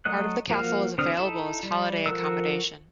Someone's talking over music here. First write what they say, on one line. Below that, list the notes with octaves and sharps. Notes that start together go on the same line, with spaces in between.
Part of the castle is available as holiday accommodation.
F#3 A3 D#5 F#6
F3 A#3 F#4 F5 F6
D3 C4 C5 D#6 F6
D#4 E4 A4 E5 A5
G3
F3 F#4 A4 A#4 E6